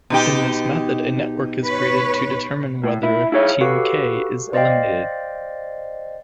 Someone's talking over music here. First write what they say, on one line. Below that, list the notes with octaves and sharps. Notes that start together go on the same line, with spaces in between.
In this method a network is created to determine whether team "k" is eliminated.
B2 D#4 G4
B4 C#5
A2
E4
E4 G#4 C#5
F#4 G4 A4 B4 F5
C5 D5 D#5 F5 G5